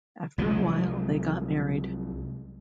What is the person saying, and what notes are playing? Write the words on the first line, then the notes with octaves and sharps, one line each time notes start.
After a while, they got married.
C2 F3 F#3 G#3